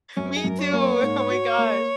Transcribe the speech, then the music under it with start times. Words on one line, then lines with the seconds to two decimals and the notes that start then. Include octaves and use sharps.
Me too, oh my gosh.
0.17 F#2 C#4
0.36 G#4
0.44 F#2 A#4
0.59 C#5
0.73 A#3
1.01 G#2
1.30 F#4
1.58 A#3